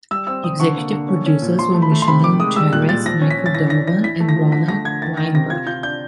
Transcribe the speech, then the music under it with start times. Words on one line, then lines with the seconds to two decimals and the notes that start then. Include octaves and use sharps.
The executive producers were Micheline Charest, Michael Donovan, and Ronald Weinberg.
0.11 G3 E6
0.27 C4 E6
0.43 C3 D#6
0.60 D3 C#6
0.77 A#3
0.93 D3
1.09 C#4
1.26 C#4
1.42 A#2
1.59 F3 C6
1.74 A3
1.82 B5
1.92 A3
2.02 C6
2.07 C3 B5
2.24 D#3 D6
2.40 G#3 D#6
2.56 G3 E6
2.72 A#2 F#6
2.89 A#2 A6
3.05 F3 A#6
3.22 C#4
3.31 B6
3.39 C#4
3.46 A6
3.55 E3 A#6
3.70 D4 A#6
3.87 E3 A#6
4.03 E4 B6
4.20 A3
4.29 A#6
4.36 F3
4.52 D3 B6
4.68 A3 A#6
4.85 D3 G#6
5.02 D#3 A6
5.17 D#3 A#6
5.34 C3 A#6
5.50 F4 G#6
5.66 F4 G6
5.83 D4 G6